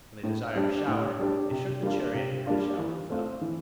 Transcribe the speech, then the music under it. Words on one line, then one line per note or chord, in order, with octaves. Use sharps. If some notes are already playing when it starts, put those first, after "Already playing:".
When they desired a shower they shook the chariot and the shower fell.
A2
G3 D4 G4
A2
G3 D4 G4
C3
G3 A#3 D4 F4
C3
G3 A#3 D4 F4
E3
A3 C4 F4
E3